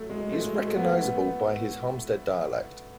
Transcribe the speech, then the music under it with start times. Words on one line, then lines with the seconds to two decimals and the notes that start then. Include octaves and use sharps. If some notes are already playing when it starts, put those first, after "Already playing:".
He is recognizable by his Halmstad dialect.
Already playing: F#3 A3
0.10 G#3
0.18 A3
0.32 A3
0.42 G#3
0.67 A3
0.76 B3
0.84 A3